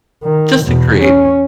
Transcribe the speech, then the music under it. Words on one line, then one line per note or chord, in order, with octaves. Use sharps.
Just to create.
D#3
E2 B2
C#4